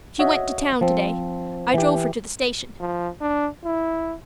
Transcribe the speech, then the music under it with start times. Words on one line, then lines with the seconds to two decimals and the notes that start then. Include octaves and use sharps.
She went to town today--I drove her to the station.
0.19 F#4 C#5 D#5 E5
0.81 F3 C4
1.74 E3 G4
2.80 F3
3.21 D4
3.64 E4